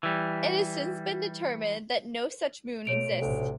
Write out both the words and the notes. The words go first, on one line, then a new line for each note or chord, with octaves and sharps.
It has since been determined that no such moon exists.
E3 G3
B2 A3 C#5 D7 F7
A1 D2 C3